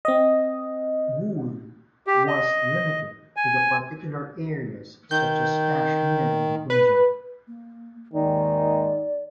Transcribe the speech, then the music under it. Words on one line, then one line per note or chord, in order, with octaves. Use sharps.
Wool was limited to the particular areas such as Kashmir and Punjab.
C4 D#5
G4
D#5
G#5
D#3 G6
B4
A#3
D#2 G#2 D#3 D#4 D5